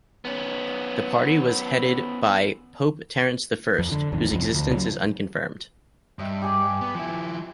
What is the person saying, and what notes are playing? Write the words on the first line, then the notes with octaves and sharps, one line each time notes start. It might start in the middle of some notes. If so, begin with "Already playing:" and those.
The party was headed by "Pope Terence the First", whose existence is unconfirmed.
B3 C#4
F2
D3
D#1 B1 F2 D#3
C2 F2 F3
D2
C#3 F#3
G2 D#5 E5
G4 G#4 D5
B3
F3 E4